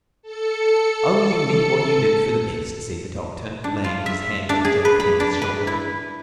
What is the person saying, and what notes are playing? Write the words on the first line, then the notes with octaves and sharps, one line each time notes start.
"Oh, you meant what you did for the best!" said the doctor, laying his hand on Jack Penny's shoulder.
A4 C#7
D4
F4
E5
D4
G#4
B4
B5
D4
B4
E4